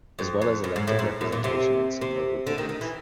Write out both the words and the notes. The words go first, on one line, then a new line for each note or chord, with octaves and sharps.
As well as elected representation in some local governments.
F2
F2
F#2
G#2
A2
G#2
F#2
A#2
C3
C3
D3
D#3
D#3
E3